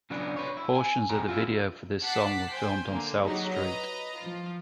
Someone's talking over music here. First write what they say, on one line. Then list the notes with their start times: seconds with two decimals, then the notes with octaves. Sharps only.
Portions of the video for this song were filmed on South Street.
0.10 C#3 F#3 B3 D4
0.36 B4 C#5
0.57 E4
0.74 G#5
1.10 G2 B2 G4 G#4 A#5
1.28 F4 F#4 E5
2.02 F#5 A5 D6 F#6 B6 C7
2.50 C5 G5 G#5
2.88 D3 A#3
3.23 F#3 D#4 G4 G#4
3.52 B4 D#5 A#5
4.17 F3 F4